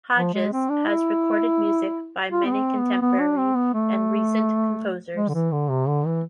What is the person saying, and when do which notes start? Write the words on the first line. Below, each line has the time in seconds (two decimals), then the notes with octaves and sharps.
Hodges has recorded music by many contemporary and recent composers.
0.17 F3
0.34 G#3
0.53 C4
0.70 D4
0.87 E4
2.31 F4
2.46 B3
2.54 C4
2.78 B3
3.02 B3
3.20 D4
3.38 C4
3.56 B3
3.74 A3
5.17 G#3
5.28 D3
5.34 E3
5.52 D3
5.69 C3
5.88 D3
6.06 E3